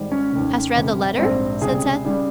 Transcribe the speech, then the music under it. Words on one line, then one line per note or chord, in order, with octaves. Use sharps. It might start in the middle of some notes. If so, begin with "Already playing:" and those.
"Hast read the letter?" said Seth.
Already playing: G#1 G#2 G3
C#4
F1 D#2 D#3
G1 F2 C3
A#1 G#2 G3 C4
C#2 C3 G3 G#4
C#3 G3